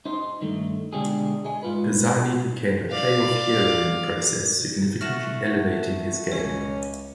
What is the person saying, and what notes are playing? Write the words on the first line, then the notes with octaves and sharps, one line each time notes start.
Pisani became a playoff hero in the process, significantly elevating his game.
D#4 C5
G2 D#3 A3
B2 D3 G#3 D4 G4 G#4
G#4 D#5 G#5
G#2 F4 B4
D5 F5
A3 F#4 F6 A#6 E7
C#2 C#4 C#5